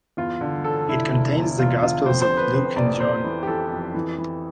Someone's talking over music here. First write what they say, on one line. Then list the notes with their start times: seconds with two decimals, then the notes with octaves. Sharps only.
It contains the Gospels of Luke and John.
0.17 E2 F4
0.41 D3
0.64 E1 A4
0.88 D3 E4
1.12 E1
1.36 E1
1.58 E2 F4
1.82 D3 F4
2.06 F2 C5
2.22 C5
2.29 F1
2.37 B4
2.53 F1 C5
2.76 F1 D5
3.00 F1 C5
3.24 E3
3.43 G4
3.47 E3 A4
3.71 F2
3.95 E3
4.18 E3